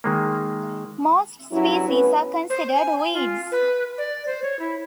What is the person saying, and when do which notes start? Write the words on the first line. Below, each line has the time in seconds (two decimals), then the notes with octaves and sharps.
Most species are considered weeds.
0.04 D#3 G#3 A#3
1.52 G2 F#3 C#4 E4
1.88 A2 B3 C#4 B4
2.50 C5
2.74 G#5
2.98 G#5
3.14 F4
3.52 B4
3.98 D5
4.27 C5
4.43 C#5
4.59 E4